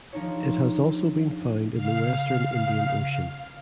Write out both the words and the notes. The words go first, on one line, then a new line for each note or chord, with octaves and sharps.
It has also been found in the Western Indian Ocean.
F3 D4 D#4 G#4 C#5
C#3 F5